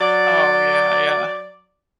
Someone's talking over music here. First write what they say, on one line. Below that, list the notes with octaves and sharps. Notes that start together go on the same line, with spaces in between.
Oh, yeah yeah.
F#3 D5